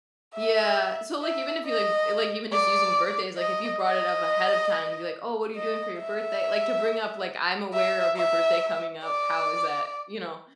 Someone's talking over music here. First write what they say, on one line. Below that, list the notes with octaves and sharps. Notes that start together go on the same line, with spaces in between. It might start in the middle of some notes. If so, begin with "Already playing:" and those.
Yeah, so, like, even if you, like, like, even just using birthdays, like, if you brought it up ahead of time, and be, like, "Oh, what are you doing for your birthday?" like, to bring up, like, "I'm aware of your birthday coming up, how is that?" you know.
E5
E5
D#5
D5
D#5
D#5
D#5
E5
E5
E5
D5